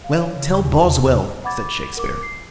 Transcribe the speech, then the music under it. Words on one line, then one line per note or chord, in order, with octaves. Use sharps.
"Well, tell Boswell," said Shakespeare.
F5
C#5
C#3
D#2
E2
C3
C3
F#5 B5 D6 G#6 A6
A#4 D6
C7